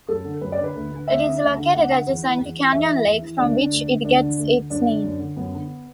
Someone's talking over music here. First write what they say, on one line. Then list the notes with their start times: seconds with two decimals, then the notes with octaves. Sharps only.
It is located adjacent to Canyon Lake, from which it gets its name.
0.09 F#2 A4
0.25 D3
0.41 F#2 B4
0.52 D5
0.58 D3
0.64 B4
0.74 D2
0.91 D3
1.08 D2 E5
1.23 D3
1.41 D2
1.57 D3
1.73 D2 F#5
1.90 D3
2.06 E2
2.23 E3
2.40 E2
2.56 E3
2.72 E2 E5
2.89 E3
3.05 E2
3.22 E3
3.38 D2 D4
3.55 D3
3.72 D2
3.87 D3
4.04 D2 D4
4.21 D3
4.38 D2
4.54 D3
4.70 F#2 D4
4.87 D3
5.03 F#2
5.20 D3
5.36 F#2 B3
5.53 D3